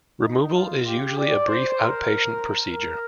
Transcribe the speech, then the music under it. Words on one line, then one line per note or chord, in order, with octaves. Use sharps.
Removal is usually a brief outpatient procedure.
D#4
F4
G4
D5
C5
A#4
A#4